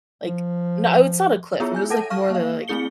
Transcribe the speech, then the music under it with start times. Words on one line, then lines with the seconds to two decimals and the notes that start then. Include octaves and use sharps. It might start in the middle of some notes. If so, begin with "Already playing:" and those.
like no, it's not a cliff. It was like more than like
0.24 F3
1.60 B3 E4 F4 G#4 C#5 E5
1.75 G#5 G6
1.90 A4 F#5 A5 A#6 D#7
2.10 F5 C#6 F6 A#6
2.30 A#3 F5
2.68 A3 C4 E4 G#4 C#7 G7